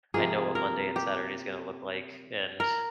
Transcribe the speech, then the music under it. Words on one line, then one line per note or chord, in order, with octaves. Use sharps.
I know what Monday and Saturday is gonna look like, and
C3 F3 A#3 G#4
A#4
G4
A#4